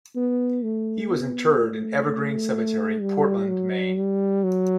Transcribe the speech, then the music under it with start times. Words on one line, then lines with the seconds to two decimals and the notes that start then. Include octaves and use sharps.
He was interred in Evergreen Cemetery, Portland, Maine.
0.16 B3
0.64 A3
1.11 B3
1.59 A3
2.06 A3
3.01 G3
3.48 F#3
3.96 G3
4.44 F#3